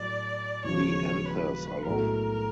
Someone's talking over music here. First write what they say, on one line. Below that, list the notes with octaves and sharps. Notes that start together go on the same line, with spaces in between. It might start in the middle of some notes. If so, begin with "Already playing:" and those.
The anthers are long.
Already playing: A2 F#3 A3 D5
E1 D#2 C#3 F3 C#5
B4
B1 A2 F#3 A3 A#4